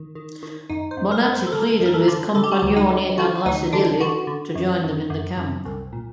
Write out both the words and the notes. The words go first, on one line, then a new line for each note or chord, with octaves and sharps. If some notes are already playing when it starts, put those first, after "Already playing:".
Bonatti pleaded with Compagnoni and Lacedilli to join them in the camp.
Already playing: D#3
D#3
D#3
F#2 D#4
C5
F#2
A#4
F#2 A#4
C5
A4
D3 A#4
F#2
A#4
A4
D3
D3 A4
G4
F#4
D2 G4
D#4
D3
D3 F#4
D2 D#4
D3 D4
D3 F#4
D3
F#2
F#2
F#2
F#2
C2
A#2